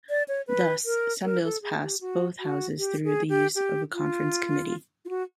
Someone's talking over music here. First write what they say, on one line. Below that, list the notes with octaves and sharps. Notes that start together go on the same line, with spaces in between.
Thus, some bills pass both Houses through the use of a conference committee.
D5
C#5
B4
A#4
A#4
A4
G#4
G4
F#4
F#4
G4
G#4
G4
G4
F4
F4
F#4